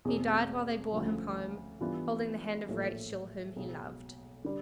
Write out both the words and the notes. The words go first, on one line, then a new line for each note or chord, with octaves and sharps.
He died while they bore him home, holding the hand of Rachel, whom he loved.
E2 B2 G#3 C4
D2 C#3 F3
E3 G3 B3 D4 F4
A#1 A2 F3 A3
B1 B2 G#3
D3 G3